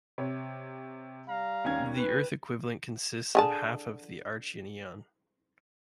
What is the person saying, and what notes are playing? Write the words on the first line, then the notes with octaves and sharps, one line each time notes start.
The Earth equivalent consists of half of the Archean eon.
C3 C#5
G3 F5 A#5
D#2 C#4 G#6
B4
D3 G#4 A5